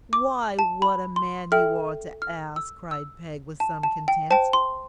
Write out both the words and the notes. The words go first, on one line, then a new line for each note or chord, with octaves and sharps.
'Why, what a man you are to ask!' cried Peg, with some contempt.
D6
A5
B5
C6
A4 E5 G5 F6
F6
E6
E6
A5
A5
G5
C5 G5 A5
C6